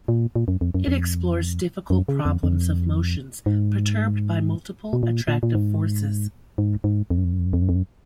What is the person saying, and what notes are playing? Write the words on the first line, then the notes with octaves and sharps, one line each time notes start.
It explores difficult problems of motions perturbed by multiple attractive forces.
A#2
A#2
F#2
F2
F#2
F2
F#2
C#3
F2
F2
G#2
B2
A#2
A#2
A#2
G#2
G#2
G#2
F2
F#2
F2
F#2
F2
F#2
F2
F#2
F2
F#2